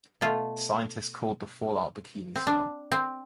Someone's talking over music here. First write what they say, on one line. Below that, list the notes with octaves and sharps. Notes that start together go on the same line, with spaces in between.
The scientists called the fallout Bikini snow.
B2 A3 F4
C4
D4
C4